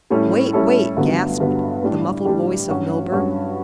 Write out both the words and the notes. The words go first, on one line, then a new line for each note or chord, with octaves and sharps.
"Wait, wait!" gasped the muffled voice of Milburgh.
A2 G3 C#4 E4 A4
A2 G3 C#4 E4 A4
G1 G2 D3 F#3 B3
G1 G2 D3 F#3 B3
A2 G3 D4 G4
A2 G3 D4 G4
G2 F#3 C#4 F#4
G2 F#3 C#4 F#4